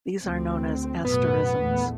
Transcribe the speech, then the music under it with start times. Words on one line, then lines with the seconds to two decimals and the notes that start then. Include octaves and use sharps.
These are known as "asterisms".
0.22 D2 C4
1.05 A1 F#2 B2 B3
1.60 A#1 E2 A3